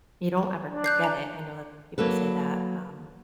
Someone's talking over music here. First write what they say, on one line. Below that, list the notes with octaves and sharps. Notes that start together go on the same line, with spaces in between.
You don't ever forget it, I know that people say that, um
D4
F#6 G6 C7
A#5
F#3 A#3 A4 B4